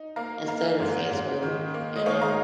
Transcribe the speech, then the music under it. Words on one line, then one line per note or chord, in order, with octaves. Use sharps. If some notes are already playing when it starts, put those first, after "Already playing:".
instead of fast food, you know?
Already playing: D#4
A#3 F5 A#5
A#3 F5 A#5
G#2
G#2
D#3
A#3
D#5
D#3 C#5 F5
F5 A#5